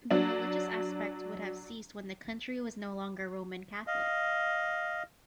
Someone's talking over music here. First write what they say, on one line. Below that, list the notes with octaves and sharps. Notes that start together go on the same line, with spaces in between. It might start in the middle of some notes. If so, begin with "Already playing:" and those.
The religious aspect would have ceased when the country was no longer Roman Catholic.
F#3 D4
D#5 F5